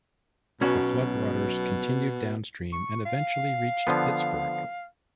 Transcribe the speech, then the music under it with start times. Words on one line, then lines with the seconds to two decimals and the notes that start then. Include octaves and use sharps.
The floodwaters continued downstream and eventually reached Pittsburgh.
0.61 B1 B2 C#4 F#4
2.72 C#6
3.06 F5
3.87 D3 F3 B3